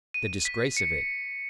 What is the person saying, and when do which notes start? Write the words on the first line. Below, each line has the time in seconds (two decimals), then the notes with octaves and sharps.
The disgrace of it!
0.14 D#7
0.45 B6
0.77 C#7